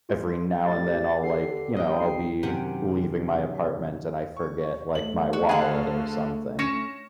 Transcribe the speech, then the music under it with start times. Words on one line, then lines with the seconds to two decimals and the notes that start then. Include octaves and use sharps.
every now and then I'll like, you know, I'll be leaving my apartment and I forget, like, my wallet or something,
0.09 F4
0.66 A2 G4 A6
1.23 D3 C7
1.76 D#5 G5
2.00 B1 C7
2.43 F#2 C3 D#3 G4 F#5 G#5
4.37 C#6
4.95 A3 F#7
5.33 F#4
5.49 D3 G#4 F5 F#5 A5
6.59 C#4 A#6 C#7 E7